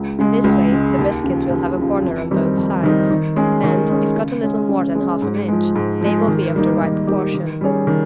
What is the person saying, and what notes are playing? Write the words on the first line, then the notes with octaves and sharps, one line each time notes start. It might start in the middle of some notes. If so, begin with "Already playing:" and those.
In this way the biscuits will have a corner on both sides and, if cut a little more than half an inch, they will be of the right proportion.
Already playing: C#2
C#3 G#3
C#2
C#3 G#3
D#2
C#3 F3
D#2
C#3 F3
F2
D#3 G3 C4 D#4
F2
D#3 G3 C4 D#4
D#3
G#3 C#4 G#4
D#3
G#3 C#4 G#4
C#3
G#3 C#4
C#3
G#3 C#4
G#2
F3 G#3
G#2
F3 G#3
D#3
G3 A#3 D#4 G4
D#3
G3 A#3 D#4 G4
D#3
G3 C#4 G#4 C#5
D#3